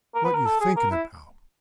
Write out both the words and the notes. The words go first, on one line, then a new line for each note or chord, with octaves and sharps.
What you thinking about?
A#4
B4
A#4
A4
G#4
A#4
E4